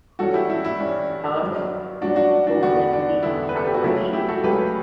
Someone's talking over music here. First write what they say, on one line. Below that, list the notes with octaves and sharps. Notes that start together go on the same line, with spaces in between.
However, both have ceased operation.
G2 E3 G3 C#4 F#4 A4
E4 G4
E4
E4
G2 E3 G3 C#4
G2 F#3 C#4
G2 F#3 C#4 D4 F#4
D4 F#4
D4 F#4
E2 D3 G3 B3 D4 F#4
D4
E2 D3 G3 B3 E4
B4
A4
G4
F#4
C#2 C#3 F#3 A3 C#4 E4
E4 G4
F#4 A4
C#2 C#3 F#3 A3 C#4 G4 B4